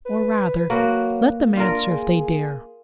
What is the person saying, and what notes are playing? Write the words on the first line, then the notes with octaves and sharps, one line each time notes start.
Or, rather, let them answer if they dare.
B4
F#3 A#3 F#4 B4
D4 F4 A#4
G#4